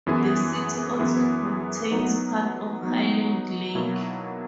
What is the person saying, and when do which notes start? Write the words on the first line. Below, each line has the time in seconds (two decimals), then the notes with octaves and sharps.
The city also contains part of Highland Lake.
0.06 F#2 E3 B3 E4 G#4
0.99 F#2 E3 B3 E4 G#4
1.91 F#3 B3 D#4
2.83 F#3 B3 D#4
3.75 B2 F#3 A#3 E4